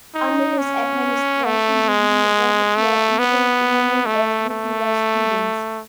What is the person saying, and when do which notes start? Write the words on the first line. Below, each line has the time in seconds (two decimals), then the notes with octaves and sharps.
Under his administration, the university admitted women as regular students.
0.14 D#4
0.58 C#4
1.46 A3
1.88 G#3
2.76 A3
3.19 B3
4.06 A3
4.50 A3